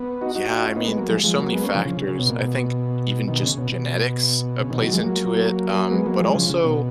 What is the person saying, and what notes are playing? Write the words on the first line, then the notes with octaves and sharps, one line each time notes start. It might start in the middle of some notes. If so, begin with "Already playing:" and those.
Yeah, I mean, there's so many factors. I think even just genetics, uh, plays into it, um, but also,
Already playing: B3
D#4 F#4
D#4 F#4
D#4 F#4
C#4 F4
B3 D#4
G#3 B3
F#3 A#3
F3 G#3
F3 G#3
F#3 A#3
G#3 B3
A#3 C#4
C#3 F3
C#3 F3
C#3
C#3
B2
A#2
B2
B2 D#3
C#3
B2
B2
C#3
B2 D#3
D#3 F#3
F3 G#3
F#3 A#3
G#3 B3
F#3 A#3
F3 G#3
C#3 F3
C#3
B2